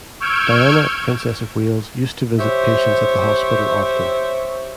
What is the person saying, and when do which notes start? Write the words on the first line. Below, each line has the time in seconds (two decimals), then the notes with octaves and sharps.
Diana, Princess of Wales used to visit patients at the hospital often.
0.20 C#6 E6 F6 G6 G#6 D7
2.38 G4 C5 C#5 E5